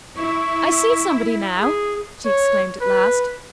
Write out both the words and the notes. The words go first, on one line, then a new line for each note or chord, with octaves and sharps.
'I see somebody now!' she exclaimed at last.
E4 C#6
G#4
C#5
B4